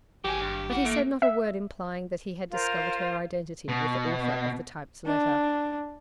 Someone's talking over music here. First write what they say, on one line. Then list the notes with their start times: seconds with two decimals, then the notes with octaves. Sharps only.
But he said not a word implying that he had discovered her identity with the author of the typed letter.
0.25 G#1 F#3 G4 G#4
0.41 G2
0.71 A1 E4 F#5
0.85 A3 A#3
1.22 E5
2.50 F4 A#4 C5
3.68 B2
5.06 D4